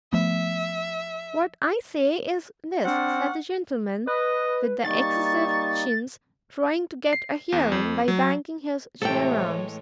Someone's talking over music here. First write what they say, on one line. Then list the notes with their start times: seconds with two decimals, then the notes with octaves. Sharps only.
"What I say, is this," said the gentleman with the excessive chins, trying to get a hearing by banging his chair arms.
0.13 F3 A3 B3 E5
2.85 C4 D4 F#5 C#6 F6
4.07 B4 D#5
4.85 G3 A#3 D#4 C#6 A6
7.13 C7
7.52 E2
7.72 F2
8.08 F#3
9.02 A2 C3 E3 G#3 A4 C#5 G5